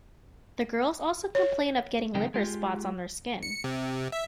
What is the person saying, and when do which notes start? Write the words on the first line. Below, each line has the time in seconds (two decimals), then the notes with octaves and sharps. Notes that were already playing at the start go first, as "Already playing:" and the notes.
The girls also complain of getting liver spots on their skin.
1.35 C#5
2.15 C#2 F#2 C3 D#3 D#4 G5
2.34 G#3 F4 G4
3.43 C#7
3.64 C3
4.12 E5